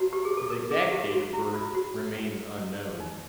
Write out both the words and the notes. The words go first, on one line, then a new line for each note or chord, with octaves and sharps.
His exact date of birth remains unknown.
F#4
G4
G#4
A4
A#4
G#4
G#4
G4
F#4
E4
F4
F#4
D#4